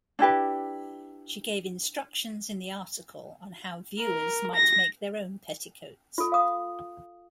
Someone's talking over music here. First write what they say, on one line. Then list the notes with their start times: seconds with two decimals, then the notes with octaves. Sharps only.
She gave instructions in the article on how viewers might make their own petticoats.
0.19 D4 E4 G4 B4
4.00 A#4
4.55 A#6
6.18 F4 A4
6.32 F5 D#6